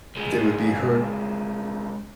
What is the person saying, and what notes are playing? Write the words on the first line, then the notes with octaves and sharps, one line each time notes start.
they would be hurt
C2 G#3